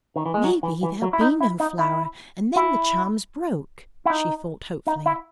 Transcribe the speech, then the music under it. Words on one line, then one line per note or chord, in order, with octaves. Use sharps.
'Maybe there'll be no flower, and then the charm's broke,' she thought hopefully.
D#3
E3
G#3
F#3
E3
E3
F#3
E4
D#4
E4
D#4
E4
E4
E4
D#4
D#4
E4